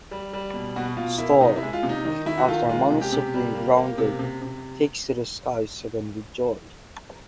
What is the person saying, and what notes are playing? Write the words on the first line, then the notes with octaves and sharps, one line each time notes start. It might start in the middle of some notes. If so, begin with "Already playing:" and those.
Storm, after months of being grounded, takes to the skies again with joy.
G3
G3
B2
B2 F#4
B2 F4
A#3 E4
C3 D#4
E4
G#3
F4
C3
D#4
D#3 D#4
D#3 E4
F#4
D#3 F4
G#3 F4
C3
G4
C3
G3
A#3
A#3
C3
C3
C3